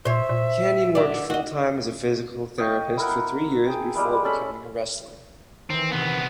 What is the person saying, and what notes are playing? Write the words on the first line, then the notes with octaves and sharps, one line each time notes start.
Kanyon worked full-time as a physical therapist for three years before becoming a wrestler.
A#2 C5 C#5 E5
A#2
D3 D5
F#4 D#5
D#5 F5 G5 C#6
E4 A#4 F#5
G#4 G5
G3 G#3 E4
C#4 A4 B5
D#3 E3 C4
C2 B3